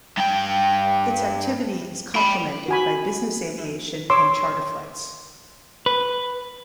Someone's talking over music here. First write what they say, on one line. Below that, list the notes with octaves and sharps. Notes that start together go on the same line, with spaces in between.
Its activity is complemented by business aviation and charter flights.
G2 G5
G5 B5
F#4 G#5 B5
C#5 C6 D6 E6
B4